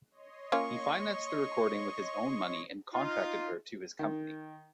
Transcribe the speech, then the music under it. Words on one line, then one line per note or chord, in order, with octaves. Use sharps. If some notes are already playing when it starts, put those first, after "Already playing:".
He financed the recording with his own money and contracted her to his company.
C#5 D#5 C6
A#3 C#4 F4 C#6
D#4 F4
D#3